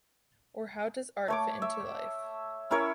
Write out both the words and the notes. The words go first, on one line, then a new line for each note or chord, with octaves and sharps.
Or how does art fit into life?
A3 C#5 D6
E5
C#4 E4 A#4 C#5